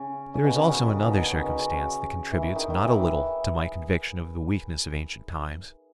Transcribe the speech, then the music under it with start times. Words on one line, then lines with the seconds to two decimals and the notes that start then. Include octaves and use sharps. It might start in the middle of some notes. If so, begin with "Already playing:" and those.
There is also another circumstance that contributes not a little to my conviction of the weakness of ancient times.
Already playing: C#3
0.34 C#3
0.44 B2
0.55 C#3
0.76 D#3
0.90 C#3
1.04 B2
1.17 D#3
1.31 C#3
1.45 B2
1.59 C#3
2.32 E3
2.42 D#3
2.55 D#3
2.70 D#3
2.83 E3